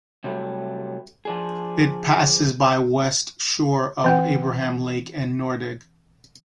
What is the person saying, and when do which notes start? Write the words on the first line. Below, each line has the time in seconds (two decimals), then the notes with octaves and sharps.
It passes by west shore of Abraham Lake and Nordegg.
0.24 C3 F#3 G3 A3
1.25 F3 D4 G#4
4.04 E3 C4 F#5